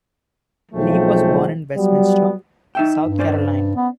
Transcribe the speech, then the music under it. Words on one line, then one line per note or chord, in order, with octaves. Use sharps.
Lee was born in Westminster, South Carolina.
B1 F2 F3 G#3 A3 G5
F#3 G3 B3
D#4 E5 G5
G2
C#4 C5 D5
B3